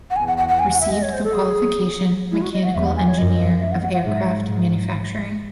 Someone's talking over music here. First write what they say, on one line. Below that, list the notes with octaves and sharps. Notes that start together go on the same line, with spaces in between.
Received the qualification "Mechanical Engineer of Aircraft Manufacturing".
F#5
E2 G#5
F#5
F#5
F#5
G#5
F#5
E5
D#5
C#5
C5
A4
G#4
E4
F#4
D#5
F#5
E2 E5
F#5
G#5
C#5
F#2 D#5
E5
F#5
F#5
F#5
G#2 E5
G#2